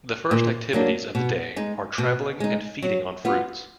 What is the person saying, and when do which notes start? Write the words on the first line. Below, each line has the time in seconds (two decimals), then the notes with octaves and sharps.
The first activities of the day are traveling and feeding on fruits.
0.31 A#2
0.73 F#3 A#3 D4
1.15 B2
1.56 G#3 D#4
1.98 B2
2.40 G#3 D#4
2.82 F#3
3.25 B3 F4